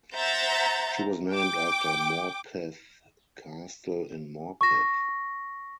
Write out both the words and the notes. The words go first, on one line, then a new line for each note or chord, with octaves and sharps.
She was named after Morpeth Castle in Morpeth.
C5 E5 F#5 A#5 G6 A6
G5 D6
C#6 A#6